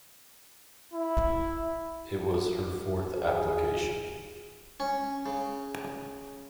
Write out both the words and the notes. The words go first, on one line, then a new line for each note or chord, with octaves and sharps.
It was her fourth application.
E4
G#4
C#4
C#3